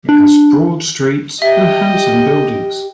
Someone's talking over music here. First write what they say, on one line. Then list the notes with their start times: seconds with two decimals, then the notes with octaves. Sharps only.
It has broad streets and handsome buildings.
0.09 D4
1.42 G4 D#5 E5 G5